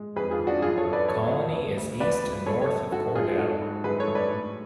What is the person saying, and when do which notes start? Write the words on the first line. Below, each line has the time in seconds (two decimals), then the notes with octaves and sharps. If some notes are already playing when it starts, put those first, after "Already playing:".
Colony is east and north of Cordell.
Already playing: G#3
0.16 F2 G#4 B4
0.31 F4 G#4
0.39 F2
0.47 D4 F#4
0.62 F#2 F4 G#4
0.77 A4 C#5
0.85 F#2
0.93 B4 D5
1.08 F2 A4 C#5
1.31 F2
1.55 D2
1.77 D2
2.00 C#2 B4 D5
2.24 C#2
2.46 F#2 A4 C#5
2.61 A4 C#5
2.69 F#2
2.92 F#2 F#4 A4
3.15 F#2 F4 G#4
3.38 G#2 F#4 A4
3.62 G#2
3.84 F#2 G#4 B4
4.00 A4 C#5
4.08 F#2
4.15 B4 D5
4.30 A2